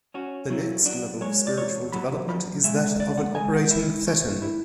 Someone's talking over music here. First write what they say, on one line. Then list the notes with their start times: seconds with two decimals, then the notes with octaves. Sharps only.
The next level of spiritual development is that of an Operating Thetan.
0.14 C#4 F#4
0.50 F#3 E4
0.85 D4 F#4
1.21 G#3 C#5
1.47 D5
1.57 E2 C#5
1.92 F#3 B5
2.28 E2 B5
2.64 G#3 E5
2.99 B1 D5
3.18 F#5
3.35 G#3 G#5
3.54 F#5
3.71 E4 E5
4.07 A3
4.42 E4